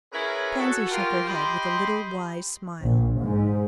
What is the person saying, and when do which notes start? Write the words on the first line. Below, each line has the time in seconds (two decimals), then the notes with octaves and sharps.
Pansy shook her head with a little wise smile.
0.13 C#4 E4 G#4 A#4 B4 C#5
0.59 F#4 A4
0.91 F4 G4 A#4
1.27 G4 D#5 B5 C6
2.84 A#1
3.21 G#2